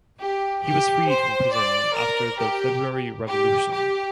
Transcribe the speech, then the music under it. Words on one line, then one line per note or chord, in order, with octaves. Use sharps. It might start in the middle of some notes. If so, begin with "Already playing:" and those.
He was freed from prison after the February Revolution.
G4
G4
C5
D5
A#4
G4
G4
G4